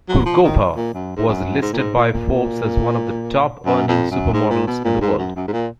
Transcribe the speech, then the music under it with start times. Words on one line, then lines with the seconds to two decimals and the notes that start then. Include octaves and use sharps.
Kurkova was listed by Forbes as one of the top-earning supermodels in the world.
0.08 F#3
0.25 F3
0.43 D#3
0.76 A#2
0.94 F#2
1.16 G#2
1.28 F#2
1.62 G#2
1.73 A#2
1.78 G#2
1.96 A#2
2.13 A#2
3.65 F#2
3.88 F2
4.11 F#2
4.33 G#2
4.50 A#2
4.67 B2
4.84 A#2
5.01 G#2
5.19 F#2
5.36 F#2
5.48 G#2
5.53 A#2